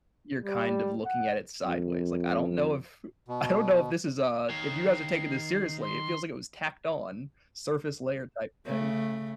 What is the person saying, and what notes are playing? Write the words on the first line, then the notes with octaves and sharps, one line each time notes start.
you're kind of looking at it sideways, like, I don't know if I don't know if this is a if you guys are taking this seriously, it feels like it was tacked on, surface layer type thing.
G3
F#5
F2
B2
D#3 C#5 C7
C6
C#3 A3